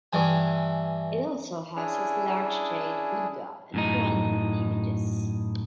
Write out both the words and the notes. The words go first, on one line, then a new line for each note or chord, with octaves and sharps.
It also houses large jade Buddha and Kuan Yin images.
G2 E3 G#5
C#4 D4 E4 G#4
F#2 A2 D#4